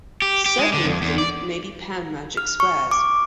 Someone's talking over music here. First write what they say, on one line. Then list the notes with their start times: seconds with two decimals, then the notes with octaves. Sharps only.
Several of them may be panmagic squares.
0.22 G4
0.46 G4
0.59 G#3
0.73 D3
0.85 F2
1.02 E2
1.18 D5
2.37 F6
2.60 C#6
2.91 D6